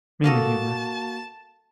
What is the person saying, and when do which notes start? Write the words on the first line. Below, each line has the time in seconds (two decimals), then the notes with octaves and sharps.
mainly humor.
0.24 A#3 F#4 A4 D#5 F5 A5